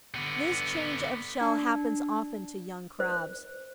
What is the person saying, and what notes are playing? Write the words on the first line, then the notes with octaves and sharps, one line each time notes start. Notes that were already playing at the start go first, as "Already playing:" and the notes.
This change of shell happens often to young Crabs.
D3 B3
D4
C5